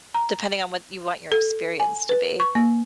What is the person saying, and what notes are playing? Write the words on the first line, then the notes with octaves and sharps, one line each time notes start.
depending on what you want your experience to be.
A#5
A4
G#5
B4
C#6
A#3